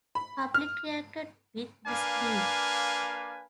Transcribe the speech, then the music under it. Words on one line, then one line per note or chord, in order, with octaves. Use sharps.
The public reacted with disbelief.
B5
F6
A#3 D4 B4 F5 G#5